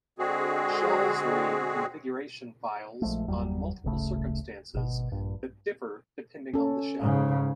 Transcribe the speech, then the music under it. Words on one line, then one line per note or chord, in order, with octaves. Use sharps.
Shells read configuration files on multiple circumstances that differ depending on the shell.
D3 G#3 C4 F#4 G#4
A#1 F3 G#3 A3
G1 E2 F#3 G3
D1 G1 C#3 A3
G#1 B2
A#1 G2
C#4 A4
G#2 C#3